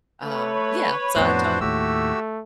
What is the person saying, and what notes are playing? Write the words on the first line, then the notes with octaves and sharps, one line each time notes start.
um, yeah. So I told him
A3 B4 C#5
F2 A2 B3 D4 F#4 C5
D#2 A2 A3 F#4 G4 E6